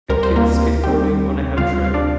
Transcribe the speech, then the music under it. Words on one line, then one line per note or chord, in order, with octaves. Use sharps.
A kid is skateboarding on a handrail.
D2 C3 G3 C4 A#4
C5
A#3 A#4
D2 C3 G3 C4 G4
D2 C3 G3 C4 F4 F5
F5
D4 D5